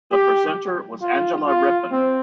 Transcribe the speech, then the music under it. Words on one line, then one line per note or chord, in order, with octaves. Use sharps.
The presenter was Angela Rippon.
G4
F4
F4
C4